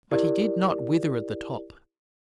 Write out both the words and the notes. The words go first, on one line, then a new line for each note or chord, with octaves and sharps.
But he did not wither at the top.
E4 G4 A#4 D5